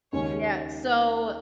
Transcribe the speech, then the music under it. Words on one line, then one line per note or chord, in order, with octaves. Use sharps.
Yeah, so
D#2 C#3 G#3 C#4 C#5